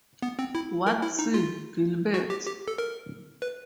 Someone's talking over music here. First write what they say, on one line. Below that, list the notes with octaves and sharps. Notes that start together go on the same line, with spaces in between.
Ward C. Gilbert.
B3
C4
E4
A#4
E4
D#4
F4
F#4
G4
G4
A4
A#4
B4